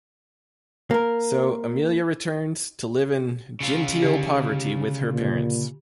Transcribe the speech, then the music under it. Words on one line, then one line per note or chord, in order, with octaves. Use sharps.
So Amelia returns to live in genteel poverty with her parents.
A#3 A#4
C#3 F4
D3 G4
A#2